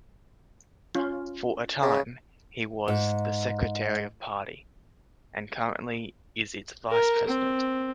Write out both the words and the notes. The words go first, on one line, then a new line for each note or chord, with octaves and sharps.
For a time he was the secretary of party, and currently is its vice-president.
C#4 F4
C#3
G#2
A#4
C4